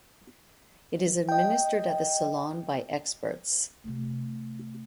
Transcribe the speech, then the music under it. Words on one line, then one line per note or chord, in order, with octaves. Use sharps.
It is administered at the Salon by experts.
D#5 G5
C3 A3